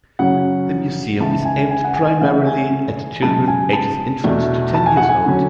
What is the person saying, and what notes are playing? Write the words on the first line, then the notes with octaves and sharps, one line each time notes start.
The museum is aimed primarily at children ages infant to ten years old.
F#2 C#3 F#3 C#4 F#5
C#2 C#3 E3 G#3 A5
G#5
G#5
F#5
G#5
C#3 E3 A3 F#5
G#5
F#2 C#3 G#3 A5
G#5
A5
E2 B2 A3 D4
A5
G#5
F#5
G#5
D3 F#3 C#4